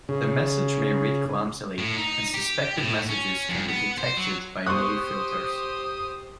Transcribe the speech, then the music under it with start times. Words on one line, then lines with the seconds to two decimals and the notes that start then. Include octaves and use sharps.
The message may read clumsily, and suspected messages can be detected by mail filters.
0.09 C#3
1.78 A2
1.96 D#4
2.34 G4
2.77 A2
3.09 C#4
3.49 F2
3.69 B3
3.98 C5
4.17 F#3
4.66 G4 C5 C6 C#6 D#6 F#6